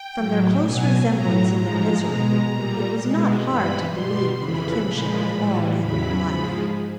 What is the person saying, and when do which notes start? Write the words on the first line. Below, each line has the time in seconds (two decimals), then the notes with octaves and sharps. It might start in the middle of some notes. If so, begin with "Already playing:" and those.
From their close resemblance in their misery, it was not hard to believe in the kinship of all animal life.
Already playing: G5
0.16 A2 F#3
0.63 B2 F#3 G#5
1.09 A2 F#3 A#5
1.56 G#2 F3 G#3 A#5
2.03 B2 G#3
2.50 A#2 G3
2.97 B2 G#3
3.44 G2 E3 G3 B5
3.90 B2 G3 C6
4.37 F2 C#3 E3 B5
4.84 A#2 F3 G#3
5.31 A2 E3 G3
5.77 E2 C#3 F#3 B5
6.25 G#2 F3 G#3